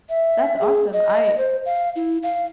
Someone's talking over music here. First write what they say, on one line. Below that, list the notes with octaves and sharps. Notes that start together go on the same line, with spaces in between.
That's awesome. I
E5
G#4
D#5
C5
F5
E4
F5